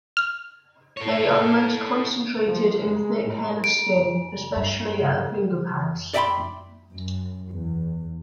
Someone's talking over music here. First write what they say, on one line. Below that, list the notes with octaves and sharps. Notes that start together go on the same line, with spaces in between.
They are most concentrated in thick hairless skin, especially at the finger pads.
F6
A4 C#5
F3
G#3
A2
D7
G2
D5 E5 G5 G#5 B5 C6
F#2
E2